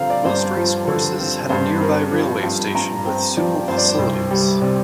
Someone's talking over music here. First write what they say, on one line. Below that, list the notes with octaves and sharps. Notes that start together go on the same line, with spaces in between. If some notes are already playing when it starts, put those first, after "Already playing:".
Most racecourses had a nearby railway station with suitable facilities.
Already playing: G2 D3 F3 C4 F5 A#5
D5
G2 C5
F3
D3
C4
G2 C5
C4 A#4
F3
G2
G2 A#5
C4 G5
F3 D5
G2 C5
D5
C5
C2
G3
C3 D5